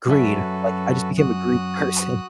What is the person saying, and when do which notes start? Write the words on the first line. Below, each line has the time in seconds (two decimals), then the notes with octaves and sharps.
greed, like, I just became a greedy person,
0.08 F#2 C#4 F#4 A4 B4 E5
1.18 F#4 D#6 F#6